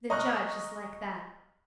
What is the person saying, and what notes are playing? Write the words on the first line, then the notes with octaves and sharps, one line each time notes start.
The judge is like that.
D#5 A#5 C#6 F6 F#6